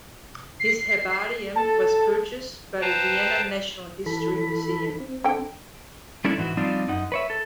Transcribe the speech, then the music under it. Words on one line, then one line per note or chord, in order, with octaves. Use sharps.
His herbarium was purchased by the Vienna National History Museum.
C7
A4 A5
B4 C5 F5 G5 A5 A#5
E3 A4 B5
C4
D3 G5
G3 A3 C#4 D4 E4
G#2 E3 F#4
F3 G3 C4 D4 D#4 F4
F#2 D#4 F#5
B4 C#5 E5
A4